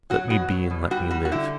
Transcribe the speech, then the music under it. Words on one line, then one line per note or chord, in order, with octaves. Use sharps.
Let me be and let me live.
F#3 F#4
B2 F#4
F#3
B2
G3 F#4
G3 F#4
F#4
D3 E4